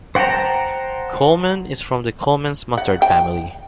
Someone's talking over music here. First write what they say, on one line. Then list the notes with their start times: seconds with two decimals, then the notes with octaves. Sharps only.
Colman is from the Colman's mustard family.
0.15 C5 F#5 G5 A5 A#5
2.78 F#5
3.02 G5